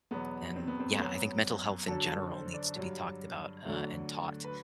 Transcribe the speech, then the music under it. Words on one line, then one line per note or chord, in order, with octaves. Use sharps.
and, yeah, I think mental health in general needs to be talked about, uh, and taught
E2 B2 F#3 B3
C4
B3
C4
A3
F#2 F#3 B3
F#2 D3 F#3 A4
A4
C5
D5
G2 F#3
D2 D3 F#3
B4